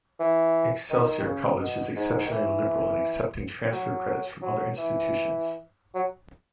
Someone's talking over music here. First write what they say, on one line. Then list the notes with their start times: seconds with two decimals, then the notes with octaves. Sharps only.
Excelsior College is exceptionally liberal in accepting transfer credit from other institutions.
0.20 E3
0.90 D#3
1.19 D#3
1.26 C#3
1.60 B2
1.96 G#2
2.25 D#3
2.31 E3
3.72 F#3
4.42 F#3
4.78 E3
5.95 F#3